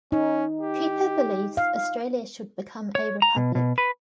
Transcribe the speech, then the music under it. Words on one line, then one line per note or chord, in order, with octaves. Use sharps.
Cooper believes Australia should become a republic.
C#4 D#4
G4
F5
C#5
A#5
B2
B2
B4